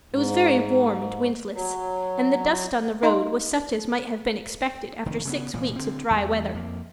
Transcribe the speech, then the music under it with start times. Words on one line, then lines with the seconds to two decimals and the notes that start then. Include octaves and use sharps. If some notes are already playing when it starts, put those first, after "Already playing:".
It was very warm and windless, and the dust on the road was such as might have been expected after six weeks of dry weather.
0.12 G#2
1.55 F#3
3.03 D#4 D#5 F5 A#5 C6
5.06 F1 D#3
5.25 C#3 G#3 B3
5.53 F1 A#2 E3 F3
5.76 D3 C4
6.10 E2 E3 G3
6.54 F2 A#3